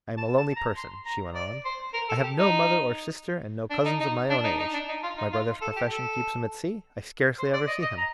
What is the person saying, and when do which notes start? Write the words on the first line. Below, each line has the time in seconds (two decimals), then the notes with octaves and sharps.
I am a lonely person," she went on; "I have no mother or sister, and no cousins of my own age. My brother's profession keeps him at sea; I scarcely ever see him.
0.17 A5
0.37 A5
0.56 A#5
0.77 C6
1.06 A#5
1.35 D5
1.65 C5
1.94 A#4
2.09 A4
2.24 G4
2.38 D#4
3.71 D4
3.85 D#4
4.00 D#4
4.30 D4
4.44 D#4
4.59 D#4
4.74 D4
4.89 D#4
5.03 F4
5.18 D#4
5.33 F4
5.62 A4
5.76 G4
5.91 A4
7.39 C5
7.53 D5
7.67 D#5
7.83 D#5
7.98 A#5